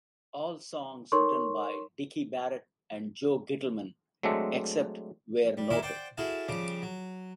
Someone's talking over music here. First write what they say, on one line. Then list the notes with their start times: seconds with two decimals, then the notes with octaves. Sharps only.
All songs written by Dicky Barrett and Joe Gittleman, except where noted.
1.12 D#4 A4 A#4 C#5 C6 C#6
4.23 F#3 G#3 A3 C4 D4 E5
5.57 G3
5.70 D#4 E4 E5 F5 G#5 D6
5.82 C5 D5 F#5 G5
6.18 E4 F#4 G#4 A4 F5
6.49 C#3 F3 G3 D6
6.82 F#3